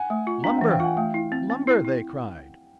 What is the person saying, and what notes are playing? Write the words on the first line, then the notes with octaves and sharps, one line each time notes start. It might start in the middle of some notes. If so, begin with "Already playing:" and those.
"Lumber! lumber!" they cried.
Already playing: F#5 G#5
A3
F4
D4 F5 G5
E5 F#5
E3
F5 G5
F4 F#5 G#5
A3 F5 G5
E4
C4
C4
E4
E4